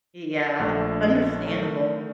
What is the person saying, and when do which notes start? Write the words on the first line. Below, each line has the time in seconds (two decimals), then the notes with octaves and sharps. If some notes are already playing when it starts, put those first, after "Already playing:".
Yeah, understandable.
0.59 A#1 A3 D4
1.45 D#3 A3